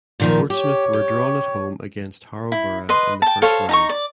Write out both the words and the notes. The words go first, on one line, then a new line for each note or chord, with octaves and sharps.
Portsmouth were drawn at home against Harrow Borough in the first round.
A#2 D#3 F3
G4 C#5
G4
E4
B4 D#5 C6
G5 A5
A4 C5 C#5 F5
D#4 A#5 C#6
D5